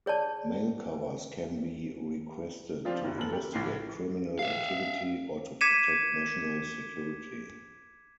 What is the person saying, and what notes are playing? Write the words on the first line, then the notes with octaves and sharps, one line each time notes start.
Mail covers can be requested to investigate criminal activity or to protect national security.
G#4 C#5 D5 A5
F3 C4 D4 F4
F#1
F1 A4 F#7
G4
A#1 A2 C7
E5 F5
D6 G#6 B6 C#7 D#7 E7